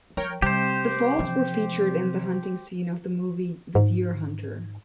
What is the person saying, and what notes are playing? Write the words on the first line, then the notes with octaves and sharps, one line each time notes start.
The falls were featured in the hunting scene of the movie "The Deer Hunter".
F3 A#4 C#5 G5
C3 G3 G4 C5
E3 F3
G#2